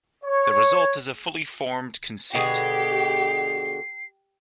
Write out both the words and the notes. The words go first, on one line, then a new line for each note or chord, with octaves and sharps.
The result is a fully formed conceit.
C#5
B2 D3 G4 G#4 C7